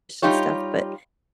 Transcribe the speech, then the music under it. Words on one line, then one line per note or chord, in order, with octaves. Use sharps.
and stuff, but
G3 D#4 F4 G4 C#5